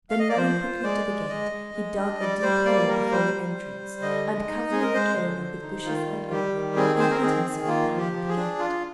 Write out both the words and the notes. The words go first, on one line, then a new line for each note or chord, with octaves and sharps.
Then running quickly to the gate, he dug a deep hole before the entrance, and covering it over with bushes and earth, he hid himself behind the gate.
F5
D#5
D5
F3 C5
F4
G#3 D5
G#3
G#3 D#5
G#3
G#3
D4
G3 D5
G3 C5
A#3 D5
G3 A#4
G3 C5
G3
G3
G3
D3 D#5
G#3
D#4
G#3 G#4
A#4
G#3 C5
D3
D3
D#4
D#3 F4
G3
G3 G4
D#3
C4 G#4
C4 C5
A#4
D#3 G#4
D#3
A#3 F4
F3
G4
F3
G#4
D4
F4